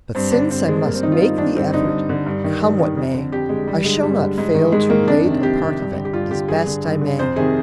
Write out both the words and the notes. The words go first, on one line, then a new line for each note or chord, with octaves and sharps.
But since I must make the effort, come what may, I shall not fail to relate a part of it, as best I may.
G2 C4
D3 D4
G2 C4
D3 G#3
G2 A#3
C4
D#3 D#4
F4
G2 D#4
D#3 D4
G2 C4
D3 D#4
G2
D3
G2
D#3
G2
D#3
F2
D3
F2 G4
D3 G#3
G2 G3
D3 G#3
G2 G3
D3
G#2
D#3
G#2 G#3
D#3 A#3
F2 D4
C3 D#3
F2 G4
C3 D#3
G2
D3
G4
G2 F4
D3 G4
G2 G#4
D3
G2
D3
F2 C5
C3 D#3 G#4